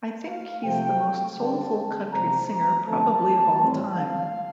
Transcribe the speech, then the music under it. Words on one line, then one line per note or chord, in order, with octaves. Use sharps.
I think he's the most soulful country singer probably of all time.
F5
C3 F3 A3 C4 G5
D3 G3 C4 A5
C3 F3 C4 A#5
A#5
D3 F3 A3 C4 A5
A2 G3 C4
F5